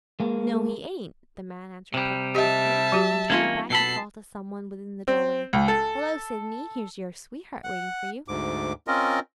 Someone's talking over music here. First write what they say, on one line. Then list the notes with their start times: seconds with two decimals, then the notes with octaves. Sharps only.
'No, he ain't,' the man answered pleasantly; and turning back, he called to some one within the doorway; 'Hello, Sidney! here's your sweetheart waiting for you.'
0.20 G#3 A#3
1.94 C3 G3
2.35 G4 D#5 E5 A5
2.92 F#3 F#4 G4
3.30 D#3 A#3 C4 C#4 D#4 F4
3.70 B2 A4 A5 B5 C7
5.08 C4
5.53 C#2
5.68 A4
7.64 F#5
8.28 D2 G#2 D6
8.87 C4 C#4 F4 A#4 D#5